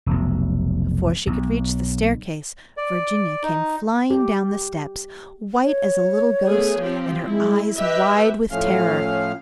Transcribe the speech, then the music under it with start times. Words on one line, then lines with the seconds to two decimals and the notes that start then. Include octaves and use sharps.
Before she could reach the staircase, Virginia came flying down the steps, white as a little ghost, and her eyes wide with terror.
0.06 F1 B1
1.27 B1
2.77 D5
3.43 D#4
4.10 G4
5.63 C#5
6.47 A3 B3 G#4
6.80 F3 C4 G4
7.26 G#3 E4
7.78 G4 B4 D#5 E5
8.51 A2 F3 A3 C#4 F5 F6